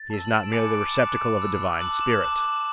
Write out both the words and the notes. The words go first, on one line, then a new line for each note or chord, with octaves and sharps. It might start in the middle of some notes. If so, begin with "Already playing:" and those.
He is not merely the receptacle of a divine spirit.
Already playing: A6
A5 E6
F#7
E7
D7
G#5 B5 D6 F#6 C#7
D7
B5 D6 F#6 E7
B5 E6
A5 D6 F#6 F#7
E7
A5 D6 F#6 F#7